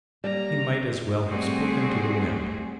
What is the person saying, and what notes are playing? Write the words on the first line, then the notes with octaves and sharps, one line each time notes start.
He might as well have spoken to the wind.
G3 A#3 A#5
G3 A3 C4 F#4 G#4